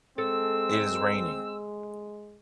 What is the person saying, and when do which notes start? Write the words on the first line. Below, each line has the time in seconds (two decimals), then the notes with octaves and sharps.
It is raining.
0.18 G#3 C4 A4 E6